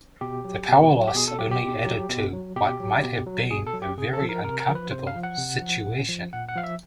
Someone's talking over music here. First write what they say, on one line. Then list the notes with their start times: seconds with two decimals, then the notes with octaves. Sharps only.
The power loss only added to what might have been a very uncomfortable situation.
0.21 B2 G4
0.44 F#3
0.68 B2
0.91 F#3
1.08 G4
1.15 B2 G#4
1.28 A4
1.39 F#3 G4
1.51 G4
1.62 B2
1.87 F#3
2.09 B2
2.33 F#3
2.56 B2 G4
2.80 F#3
3.03 B2
3.26 F#3
3.51 B2 G#4
3.67 A4
3.73 F#3
3.82 G4
3.98 C3 G#4
4.13 A4
4.21 F3
4.29 A#4
4.44 C3 A#4
4.60 A#4
4.69 F3
4.75 B4
4.91 C3 C5
5.07 F5
5.16 F3
5.23 F#5
5.38 C3
5.62 F3
5.86 A#2
6.09 F3
6.33 A#2 F#5
6.49 F#5
6.55 F3 F5
6.64 E5